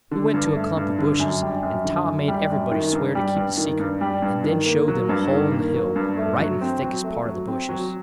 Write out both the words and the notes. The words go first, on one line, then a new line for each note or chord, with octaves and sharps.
We went to a clump of bushes, and Tom made everybody swear to keep the secret, and then showed them a hole in the hill, right in the thickest part of the bushes.
D3
G2
A3
G2
D3
F#2
G3
F#2
D3
F#2
G3
F#2
D#3
G2
G3
G2
D#3
G2
G3
G2
D#3
A#3
F#3
G2
D#3
A#3
F#3
G2
A3
F#3
C4
F#3
A3
F#3
C4
F#3